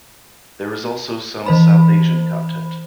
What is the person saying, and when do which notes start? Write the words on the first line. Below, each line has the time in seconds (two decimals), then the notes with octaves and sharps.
There is also some South Asian content.
1.46 E3 C5 B5